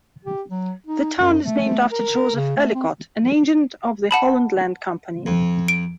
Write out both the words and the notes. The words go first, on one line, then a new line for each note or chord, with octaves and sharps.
The town is named after Joseph Ellicott, an agent of the Holland Land Company.
G4
F#3
D#4
F#2
A3
A#4
C#3
A3
C4
F#5 A5 B5
F2
D7